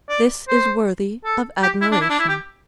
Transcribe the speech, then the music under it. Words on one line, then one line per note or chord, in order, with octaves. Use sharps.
This is worthy of admiration.
D5
C5
A4
G4
E4
D4
E4
D4
E4
G4